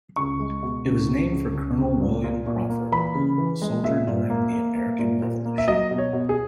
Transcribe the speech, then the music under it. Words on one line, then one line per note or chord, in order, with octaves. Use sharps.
It was named for Colonel William Crawford, a soldier during the American Revolution.
C#2 C#6
G#3
B2
C#2
C#2
C#2
C#2
C#2
A#2
A#2
A#2
A#3
E3 B5
C#3
E3
G#3
A#2 E5
A#2
A#3
A#3
A#3
A#2
A#2
A#3
E5
F#3 D#5
B2
C#5
B2
G#4